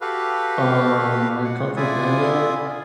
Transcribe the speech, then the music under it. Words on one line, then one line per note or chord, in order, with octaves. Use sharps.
um, like Kung Fu Panda.
F#4 G4 A4 B4 F5
F#5
E4 F4 D5 E5 G#5 D#6